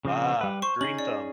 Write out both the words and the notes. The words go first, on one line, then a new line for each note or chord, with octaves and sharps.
Ah, green thumb.
C#3 F3 C4
G3 B4
C5 C#6
C#4 D#4 G#4 F#7
D5